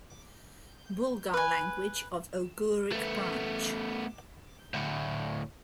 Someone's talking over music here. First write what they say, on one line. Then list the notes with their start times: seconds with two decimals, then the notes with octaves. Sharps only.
Bulgar language of Oghuric branch.
1.34 B4 G#5
2.92 A3 B3
4.74 D2 A2